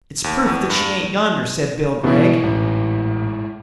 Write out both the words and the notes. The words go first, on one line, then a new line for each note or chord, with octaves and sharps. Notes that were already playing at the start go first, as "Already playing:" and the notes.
"It's proof that she ain't yonder," said Bill Gregg.
D#2
E2
G2
G#2 B2 E3 E4
A1